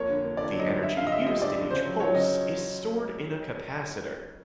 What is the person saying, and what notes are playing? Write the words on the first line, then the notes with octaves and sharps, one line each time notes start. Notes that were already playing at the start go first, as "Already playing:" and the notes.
The energy used in each pulse is stored in a capacitor.
Already playing: F2 A#3 C#5
D3
A#3
D3 D5
F#3
D#5
D3
G2 E5
D3 F5
D#5
D3 E5
G3 D#5
G2 D5
D3
C#3 C5
F#3
F#3 C#5
C#3 D#5